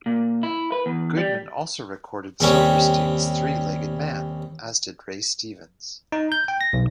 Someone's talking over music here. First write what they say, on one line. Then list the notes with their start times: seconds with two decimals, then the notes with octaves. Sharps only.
Goodman also recorded Silverstein's "Three-Legged Man", as did Ray Stevens.
0.06 A#2
0.43 E4
0.72 B4
0.86 E2
1.17 G3
2.40 D#2 C3 G3 C#4
6.12 D#4
6.32 G6
6.48 G5
6.61 A#6
6.73 B1